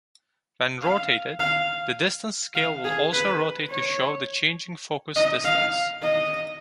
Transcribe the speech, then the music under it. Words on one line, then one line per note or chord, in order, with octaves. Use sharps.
When rotated, the distance scale will also rotate to show the changing focus distance.
F5
F5
F5
G#4
B4
C#5
D#5
F5
D#5